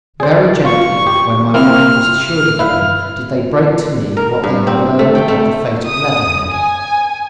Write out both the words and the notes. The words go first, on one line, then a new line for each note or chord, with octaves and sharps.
Very gently, when my mind was assured again, did they break to me what they had learned of the fate of Leatherhead.
G#4 C5 D5
F4 C#6
G4
A#3 C4 E4 F6
E4 B4 F5
A#4
G2
C4
A3
G5
A3
D#6
G#5